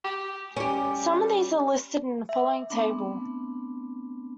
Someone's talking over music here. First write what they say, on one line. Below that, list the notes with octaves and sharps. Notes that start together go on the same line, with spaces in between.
Some of these are listed in the following table.
G4
G3 C#4 G4
E5
A3 B3 C4 D4